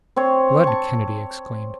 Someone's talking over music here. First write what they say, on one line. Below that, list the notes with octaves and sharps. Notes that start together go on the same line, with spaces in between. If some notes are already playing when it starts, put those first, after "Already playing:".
"Blood!" Kennedy exclaimed.
C4 C5 C#5
A5 C#6